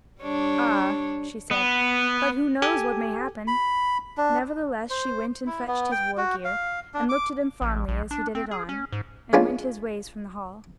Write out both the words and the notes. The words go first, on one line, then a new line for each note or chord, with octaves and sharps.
"Ah," she said, "but who knows what may happen?" Nevertheless she went and fetched his war-gear and looked at him fondly as he did it on, and went his ways from the hall.
G3 D4 C#5
B3
G4 A4 G#5
B5
D4
C5
E4
B3
G5
F#4
F5
D4
D6
A1
A#1
D4
C4
G#4
C#4
G#2
G#3 B3 C#4 D4 F4